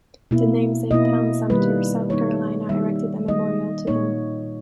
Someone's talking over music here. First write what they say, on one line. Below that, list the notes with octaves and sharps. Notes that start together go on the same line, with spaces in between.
The namesake town, Sumter, South Carolina, erected a memorial to him.
B2 A#3 E4
B2 A#3 E4 D#5
D#3 G3 A#3 D#4 B4
D#3 G3 A#3 D#4 C#5
D#3 G3 A#3 D#4 E5
D#3 G3 A#3 D#4 D#5
A#2 A#3 D#4 C#5